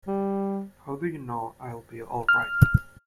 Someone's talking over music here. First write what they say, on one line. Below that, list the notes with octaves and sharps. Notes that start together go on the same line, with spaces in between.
How do you know I'll be all right?
G3
F6